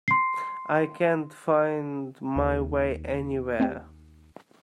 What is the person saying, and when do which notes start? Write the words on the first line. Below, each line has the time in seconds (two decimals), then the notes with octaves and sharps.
I can't find my way anywhere!
0.08 C6 C7
2.36 D#2
3.60 A3 C4 G4